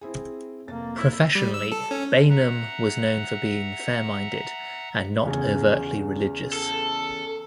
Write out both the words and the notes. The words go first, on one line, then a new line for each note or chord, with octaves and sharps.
Professionally Bainum was known for being fair-minded and not overtly religious.
C4 E4 G#4
F1 A#3 A6
E4
G3
E6
A4
C#4
E5 F#5 A#5 F#6
E2 C#3
A4